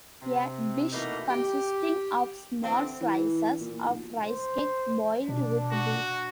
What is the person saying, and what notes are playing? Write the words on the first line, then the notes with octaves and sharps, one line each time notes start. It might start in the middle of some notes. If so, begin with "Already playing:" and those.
A dish consisting of small slices of rice cake boiled with beef.
C3
B2 E3 A3 A#3 D#4
G4
D3 E3 C4
E3
A#2
B1
C5
B2 D4
F#4